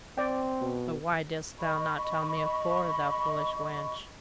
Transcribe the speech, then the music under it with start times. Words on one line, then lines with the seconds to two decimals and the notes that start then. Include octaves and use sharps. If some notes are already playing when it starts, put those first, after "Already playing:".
'But why didst thou not tell me afore, thou foolish wench?'
0.18 C4 D5 G5
0.61 B2
1.58 D#5 B5 C#6